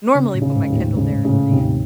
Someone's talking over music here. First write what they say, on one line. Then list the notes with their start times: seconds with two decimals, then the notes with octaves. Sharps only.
normally put my Kindle there and read
0.15 C#3 C#4
0.35 A2
0.42 C#3
0.55 G#2
0.70 D#2
0.77 A2
0.96 G#2 C#3
1.25 A2 C#3
1.52 D#2 C3